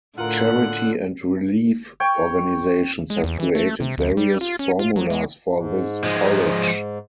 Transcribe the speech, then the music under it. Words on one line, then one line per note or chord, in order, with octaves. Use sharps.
Charity and relief organizations have created various formulas for this porridge.
A2 D3 F4 A#4 F#5 F#6
C#5 G5
G#3
E2
E3
A3
C3
D2
G3
F4
C#4
F4
F#3
G#3
G#2
F3 G#3